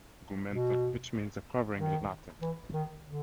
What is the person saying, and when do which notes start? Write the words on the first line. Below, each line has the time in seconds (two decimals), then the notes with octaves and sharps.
It derives from "integumentum", which means "a covering" in Latin.
0.50 B2
1.78 D#3
2.41 E3
2.73 D#3
3.05 D3